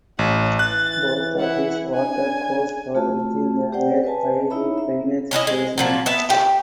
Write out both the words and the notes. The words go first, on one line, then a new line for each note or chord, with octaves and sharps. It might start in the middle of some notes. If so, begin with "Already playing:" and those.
Both of these watercourses are within the Lake Eyre drainage basin.
A1 C#4 F#5
E3 F#6 A6
E4 F#5
D4 G#5
A3 F4 F#4 A5
G4 C5 D5 F#5 G5
B4 D#5 G#5 A5
D#4 E4 C#5 E5 A#5 B5
E5
C#4 D4 E4 D#5
G#3
A#2 F3 F#3
B3 E5 A5
G4